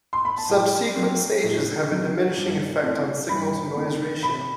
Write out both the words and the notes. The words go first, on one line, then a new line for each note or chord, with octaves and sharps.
Subsequent stages have a diminishing effect on signal-to-noise ratio.
C6
B5
A5
A2 G5
F#3 C4
A2
F#3 C4
G2
E3 A3 C4
G2 B5
E3 A3 C4
C3 B5